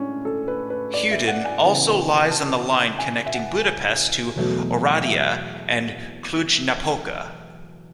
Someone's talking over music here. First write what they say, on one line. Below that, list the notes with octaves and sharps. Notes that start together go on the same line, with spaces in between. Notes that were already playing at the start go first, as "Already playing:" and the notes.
Huedin also lies on the line connecting Budapest to Oradea and Cluj-Napoca.
Already playing: A2 G#3 C#4 D4
A4
B4
B4
D5
E5
F#5
G#5
C#3 E3 B3
A5
G#5
E5
F#5
E2 B2 F#3 A3
E5